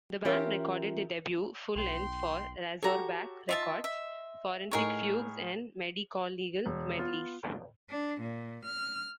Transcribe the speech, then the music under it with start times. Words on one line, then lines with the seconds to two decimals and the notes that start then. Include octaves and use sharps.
The band recorded their debut full-length for Razorback Records, "Forensic Fugues and Medicolegal Medleys".
0.25 E3 C#4 F4 G4 A#4 E5
1.75 B1 G5 C6
2.83 F#4 G4 A4 C#5 A#5
3.49 F4 D#5 E5 A5 C6
3.84 E5
4.71 A2 D#4 G#4 A#4 C#5 C#6
6.66 E1
6.98 B3 F4
7.89 D4
8.22 A#2
8.66 F6